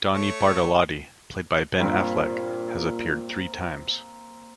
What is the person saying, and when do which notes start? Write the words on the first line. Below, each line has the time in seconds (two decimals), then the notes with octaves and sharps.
Donnie Bartalotti, played by Ben Affleck, has appeared three times.
0.12 A3 C#5
1.80 G2 A#2 A#3 C4